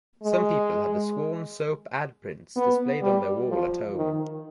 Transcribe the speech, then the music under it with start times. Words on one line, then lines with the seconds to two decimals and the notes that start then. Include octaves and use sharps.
Some people had the Swan soap ad prints displayed on their wall at home.
0.23 G#3
2.56 B3
3.02 G3
3.49 F3
3.95 D#3